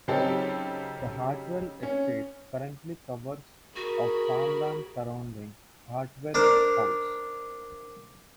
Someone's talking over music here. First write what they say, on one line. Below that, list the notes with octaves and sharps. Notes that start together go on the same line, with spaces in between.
The Hartwell Estate currently covers of farmland surrounding Hartwell House.
C#3 F#3 C4 D#4 G4 A4
C#4
F#4 G#4 A#4 B5
D4 A#4 C5